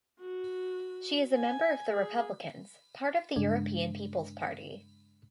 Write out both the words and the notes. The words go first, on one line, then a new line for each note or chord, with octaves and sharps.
She is a member of the The Republicans; part of the European People's Party.
F#4
G#5
G#4
G2 C#3 G#3 D4